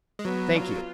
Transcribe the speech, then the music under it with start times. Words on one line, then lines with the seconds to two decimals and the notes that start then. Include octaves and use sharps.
"Thank you."
0.19 G#3
0.25 F#3 B3
0.56 F4